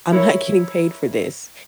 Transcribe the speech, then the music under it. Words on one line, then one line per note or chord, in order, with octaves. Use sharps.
I'm not getting paid for this,
E4 A#4 C#5